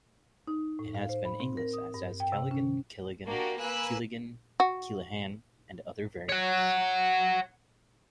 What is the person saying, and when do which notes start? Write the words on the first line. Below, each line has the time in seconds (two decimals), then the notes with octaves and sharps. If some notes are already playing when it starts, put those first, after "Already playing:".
It has been anglicised as Callaghan, Kelaghan, Keelaghan, Kealahan and other variants.
0.47 D#4
0.79 A2
0.95 F5
1.09 C5
1.25 B5
1.40 C4
1.57 A#4
1.73 D#6
1.94 G2
2.20 G5
2.32 C3
2.51 C#4
3.26 A#3 D4 F#4 G4 A#4
3.58 A#3 B4 G#5 E6 F#6
4.60 F#4
6.29 C#5 F#5